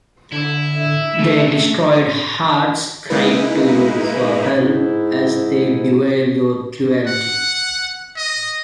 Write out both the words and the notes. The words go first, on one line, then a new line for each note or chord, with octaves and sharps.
Their destroyed hearts cry to you for help as they bewail your cruelty.
D3 E4
E5
A#2 C#3 A3
G#3 A#3 D#4 E4 B4
G#2 E4
F#5
D#5